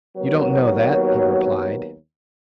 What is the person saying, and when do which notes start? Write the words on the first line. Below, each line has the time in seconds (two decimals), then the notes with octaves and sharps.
"You don't know that," he replied.
0.17 D#2 F#3 B3 F#4 A#4 C#5